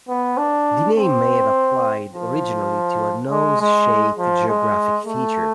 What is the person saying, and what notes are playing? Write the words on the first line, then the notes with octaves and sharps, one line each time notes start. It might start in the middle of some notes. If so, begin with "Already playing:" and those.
The name may have applied originally to a nose-shaped geographic feature.
B3
D4
C4
F3
G#3
G#3
F3
G#3
A3